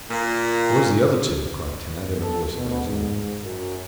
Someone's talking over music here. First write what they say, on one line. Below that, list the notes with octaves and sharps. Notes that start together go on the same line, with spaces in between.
"Where's the other two?" cried Tad in a voice of anxiety.
A#2
A4
B2
G#2
F#2